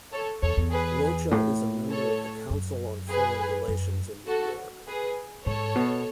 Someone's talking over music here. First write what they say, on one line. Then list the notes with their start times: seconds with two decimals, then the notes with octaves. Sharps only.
Rocha is a member of the Council on Foreign Relations in New York.
0.12 A4 C#5
0.42 E2 A4 C#5
0.57 E2
0.71 G#4 B4
1.31 A2
1.90 A4 C#5
2.50 F#2
3.09 G#4 B4
3.68 F#2
4.27 F#4 A4
4.87 G#4 B4
5.46 G#2 A4 C#5
5.75 B2